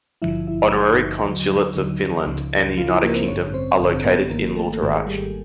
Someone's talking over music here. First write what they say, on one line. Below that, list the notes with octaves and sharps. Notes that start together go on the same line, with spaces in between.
Honorary consulates of Finland, and the United Kingdom are located in Lauterach.
G#1 G2 D3 F3 E4 E5
E4 E5
G#1 G2 D3 F3 D#4 D#5
D#2 D3 F#3
D#2 D3 F#3
C#2 C#3 F3
C#2 C#3 F3 F4 F5
E4 E5
A#3 A#4
C4 C5
A1 G2 D3 C#4 C#5
C4 C5
A1 G2 D3 C4 C5
B3 B4
G#1 G#2 D#3 A#3 A#4
A3 A4
G#1 G#2 D#3
G#4
G3 G4